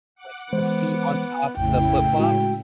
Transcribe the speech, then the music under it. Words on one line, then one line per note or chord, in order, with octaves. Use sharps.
like, the feet on top of the flip flops?
F#5 D6 F#6
E3 G#3 B3 C5
A#1 F2 A2 C#3 E4 G5
G#3 F#4